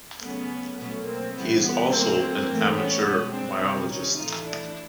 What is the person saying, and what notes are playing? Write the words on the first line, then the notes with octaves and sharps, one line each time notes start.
He is also an amateur biologist.
C#3 F#3 A3 B3 C#4
B2 F#3 A3 B3 C#4
A#3 C4
C#3 E3 G3 B3
B3
D3 F#3 A3 A#3 C4
A2 E3 A3
B3 C#4
B2 G#3 B3 C#4
C4 D4
C3 D#3 G3 C4 D4
C#4 D#4
A2 E3 A3 D#4 F4
D4 E4